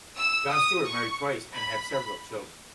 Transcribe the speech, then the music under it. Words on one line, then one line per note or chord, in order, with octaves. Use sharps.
John Stewart married twice and had several children.
E6
D#6
C#6
B5